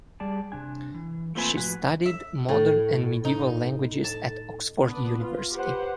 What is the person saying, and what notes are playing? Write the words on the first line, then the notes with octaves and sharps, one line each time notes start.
She studied Modern and Medieval Languages at Oxford University.
G3 G#4 D5 A5
C3 D4 G#5
E3
A3 A#3 C4 F4 B4 G#5
A2 F3 F#4 B4 G#5
E5
A2
D#4
A5
B3 D4 B4
F4
G4 B4 C5 F#5